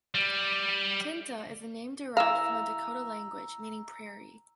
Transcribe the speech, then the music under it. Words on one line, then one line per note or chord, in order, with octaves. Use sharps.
Tintah is a name derived from the Dakota language meaning "prairie".
G3
E3 F5 A#5 E6